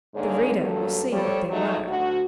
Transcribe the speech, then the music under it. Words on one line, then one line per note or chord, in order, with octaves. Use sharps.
The reader will see what they were.
G#2 D3 A#3 G#4 C#5
G2 F#3 A#3 A4
F3 G3 A4 C#5
F#3 G#3 A3 D#4 F#4
D2 F#4